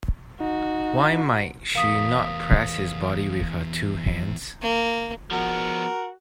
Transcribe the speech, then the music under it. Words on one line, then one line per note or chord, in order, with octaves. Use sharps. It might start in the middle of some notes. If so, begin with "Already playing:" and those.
Why might she not press his body with her two hands.
D#4 F#4
E2 A#4 F5 D#6 B6
A#3
F3 B3 F#4 A#4